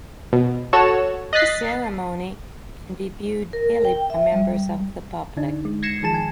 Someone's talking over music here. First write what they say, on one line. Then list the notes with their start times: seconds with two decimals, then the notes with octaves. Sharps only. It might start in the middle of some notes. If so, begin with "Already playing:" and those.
This ceremony can be viewed daily by members of the public.
0.33 B2
0.73 F#4 A4 C#5 E7
1.33 D#5 F#6 A6 B6 C7
3.53 A#4
3.85 G5
4.10 E5
4.32 G3
5.37 D3 D4 D#4
5.65 G#3
5.83 G#6 A#6 C7 C#7 E7
6.03 D#3 F3 G#4 A5 E7
6.14 G#5